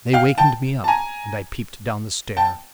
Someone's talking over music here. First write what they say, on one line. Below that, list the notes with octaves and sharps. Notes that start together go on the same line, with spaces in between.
They wakened me up and I peeped down the stair.
F5 G5
G5 A5
A5
G#5 A#5
G5 A5